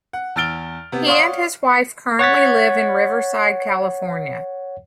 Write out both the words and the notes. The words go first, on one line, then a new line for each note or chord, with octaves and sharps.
He and his wife currently live in Riverside, California.
F#5
E2 E6 F6 A6 D7 G7
C3 B3
C#5 D5 F5 F#5 C6 D#6
C#5 F#5 A6 B6